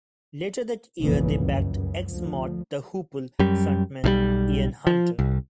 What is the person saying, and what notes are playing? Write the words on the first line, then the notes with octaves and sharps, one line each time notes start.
Later that year they backed ex-Mott the Hoople frontman Ian Hunter.
F1 B1 G2 C#3 E3 A#3
C#2 F#2
C#3
D2 F3
F#2 G3
B1 F3 G3
F3
C2